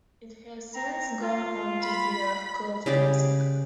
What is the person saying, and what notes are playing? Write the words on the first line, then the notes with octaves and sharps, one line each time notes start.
It has since gone on to be a cult classic.
C4 A#5
F4
B5 B6
C#3 G4 G#4 D5